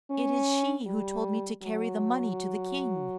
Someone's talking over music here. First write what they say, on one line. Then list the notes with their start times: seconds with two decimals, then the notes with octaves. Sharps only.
"It is she who told me to carry the money to the king."
0.11 C#4
0.86 G3
1.62 F#3